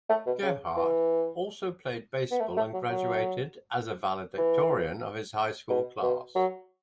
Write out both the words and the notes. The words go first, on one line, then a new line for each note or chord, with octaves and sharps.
Gerhart also played baseball and graduated as a valedictorian of his high school class.
A3
B2
C#3
E3
B3
A3
A3
F#3
F#3
E3
B2
B2
F#3